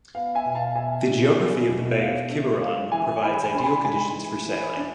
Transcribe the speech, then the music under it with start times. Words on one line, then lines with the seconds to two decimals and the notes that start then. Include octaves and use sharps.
The geography of the Bay of Quiberon provides ideal conditions for sailing.
0.14 B3 F5
0.35 E5 G#5
0.46 B2
0.55 F5 A5
0.76 B2 E5 G#5
1.07 D4
1.38 B3
1.69 B2
1.91 E5
1.99 B2 F5
2.30 D4 E5
2.61 G#3 F5
2.92 E3 E5 G#5
3.22 E3 G#5 B5
3.43 G#5 B5
3.54 D4 C6
3.64 G#5 B5
3.85 G#3 G#5 B5
4.16 E3
4.46 E3
4.77 D4